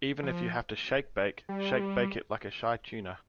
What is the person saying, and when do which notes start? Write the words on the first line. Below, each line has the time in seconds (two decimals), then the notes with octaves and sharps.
Even if you have to shake-bake shake-bake it like a Shy Tuna.
0.23 F3
1.49 G3
1.73 G#3
1.80 G3